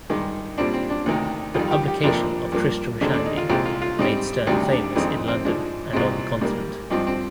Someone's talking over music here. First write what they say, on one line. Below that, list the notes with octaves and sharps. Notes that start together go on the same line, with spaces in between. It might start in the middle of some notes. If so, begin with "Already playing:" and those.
The publication of "Tristram Shandy" made Sterne famous in London and on the continent.
G2 D#3 G#3
A#2 G3 C4 D4
C4
D4
D2 C3 D#3
F2 D#3 G3 F4
G4
G4
F2 C3 F3 A#3 D4
G2 F3 A#3
D#2 D3 G#3 C4 D4
D4
D#4
F4
C2 A#2 G#3 C4 G4
F4
F4
G#2 G3 C4 D#4
D2 C3 D#3 G3 C4 D4
D4
F2 D#3 G#3 C4 D4
C4
G#2 F3 G#3 D4
C2 A#2 G#3 C4
G#2 G3 A#3
G2 F3 C4 D#4
C4